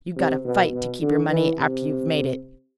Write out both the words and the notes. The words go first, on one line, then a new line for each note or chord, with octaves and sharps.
You got to FIGHT to keep your money after you've made it.
C3
B2
B2
D3
E3
C3